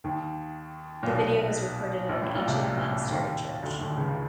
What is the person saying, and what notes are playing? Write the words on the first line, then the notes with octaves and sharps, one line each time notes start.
The video was recorded in an ancient monastery church.
D#2 D#3
A#2
B1 B2
A#1 A#2
A1 A2
A#1 A#2
C2 C3
D#2 D#3
D2 D3
D#2 D#3
C#2 C#3